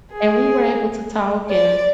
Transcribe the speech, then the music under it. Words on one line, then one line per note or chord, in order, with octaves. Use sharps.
and we were able to talk, and
G#4
D5